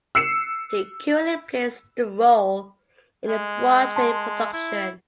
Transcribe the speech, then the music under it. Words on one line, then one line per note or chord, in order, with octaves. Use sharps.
He currently plays the role in the Broadway production.
E6 C7 C#7 E7
G#3
A5 C6
E4